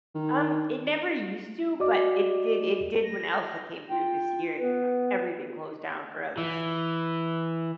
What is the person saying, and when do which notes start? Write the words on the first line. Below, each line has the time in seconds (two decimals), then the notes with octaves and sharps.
Um, it never used to, but it did it did when Elsa came through this year, uh, everything closed down for at least
0.15 D#3
1.80 F#4 D5 D#5 D6
3.03 A#6
3.90 F4 G5
4.59 B3 B4
6.38 E3